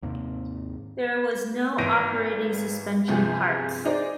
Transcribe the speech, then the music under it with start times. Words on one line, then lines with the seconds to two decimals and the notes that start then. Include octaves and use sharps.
There was no operating suspension parts.
0.02 D#2 G#2 C3 A#3
1.78 G#1 E3 G6 A#6 D7 D#7
3.08 G1 C3 F3 G#4
3.85 D4 D#4 G#4 C5 D5